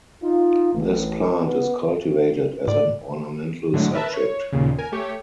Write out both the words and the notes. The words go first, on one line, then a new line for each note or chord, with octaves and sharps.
This plant is cultivated as an ornamental subject.
D#4 F4
A1
B3
A2 D5
A2 D3 F#3 G#3 A3
A#4 B4 E5 A5
C#5
D#2 A#2 C#3
A#4 G#5
A3 G4 C#5